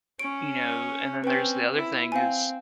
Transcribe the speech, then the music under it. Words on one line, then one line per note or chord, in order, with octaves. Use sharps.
you know, and then there's the other thing is
C#4 C#5 D7
C4 C#4 B4 G5
E4
C4 F5 G#5